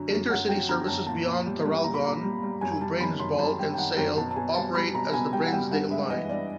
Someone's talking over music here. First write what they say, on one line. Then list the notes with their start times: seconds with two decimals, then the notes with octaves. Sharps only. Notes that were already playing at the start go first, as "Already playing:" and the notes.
Intercity services beyond Traralgon to Bairnsdale and Sale operate as the Bairnsdale Line.
Already playing: F#2 D3 F#3
0.10 F#2
0.29 F#2 F#5
0.48 F#3 G5
0.68 D3 A#5
0.88 F#2 A5
1.07 A#2 A5
1.26 A#2
1.46 G3
1.65 G3
1.84 A#2 A#5
1.94 B5
2.04 A#2 A#5
2.23 G3
2.43 G3
2.61 F#2 G#5
2.72 G#5
2.81 G3 A5
3.00 D#3 B5
3.19 F#2 C6
3.39 F#2 A5
3.59 G3 G5
3.74 G5
3.78 D#3 F#5
3.97 F#2 G5
4.17 B2 A5
4.31 A5
4.36 B2 G#5
4.55 G3 A5
4.75 G3 B5
4.94 B2 A#5
5.13 B2 G#5
5.33 G3 G5
5.46 F#5
5.53 G3 G5
5.71 G2 F#5
5.90 G#3 E5
6.10 E3 D#5
6.29 G2 D5